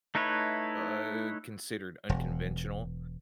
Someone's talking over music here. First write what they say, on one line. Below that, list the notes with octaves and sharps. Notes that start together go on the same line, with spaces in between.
uh, considered unconventional.
A3 D#4 E4 B4 C#5
E1